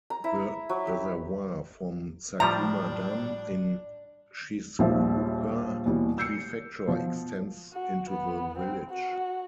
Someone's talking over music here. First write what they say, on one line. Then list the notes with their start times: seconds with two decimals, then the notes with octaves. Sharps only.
The reservoir from Sakuma Dam in Shizuoka Prefecture extends into the village.
0.10 A#5
0.24 E4
0.69 F#3
0.87 G4
2.40 A2 F3 G3 D4 A#5
4.79 A#1 D#2 F3 G3 E5
5.86 D#2 B2 E3 G3
6.18 E6 G6 C7 C#7
6.87 B2 F3
7.73 F#4
8.10 B3
8.58 C4
8.90 F#4